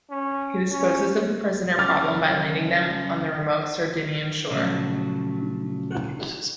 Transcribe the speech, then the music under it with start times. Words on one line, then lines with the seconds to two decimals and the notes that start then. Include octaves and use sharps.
He disposes of the prisoner problem by landing them on the remote Sardinian shore.
0.11 C#4
0.71 C#4
1.79 F#2 C#3 D6 F6 A6
4.50 A#2 C#3 F3 F#3 A3